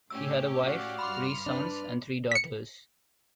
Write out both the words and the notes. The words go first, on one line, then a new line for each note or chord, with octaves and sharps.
He had a wife, three sons, and three daughters.
A2 C#4 G4 E6
F#4 D5 F5
G2 B5 C6 D6 F6
D4 B4 D5
B6 C#7